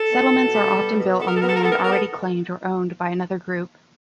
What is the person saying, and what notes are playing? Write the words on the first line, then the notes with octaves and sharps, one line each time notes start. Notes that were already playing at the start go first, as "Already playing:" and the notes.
Settlements are often built on land already claimed or owned by another group.
Already playing: A4
B2
B2
G3
B3
B2
B3 A4
A#4
A4
B3 A#4
A4
A#4
B3 A4
A#4
A4
B3 A#4
A4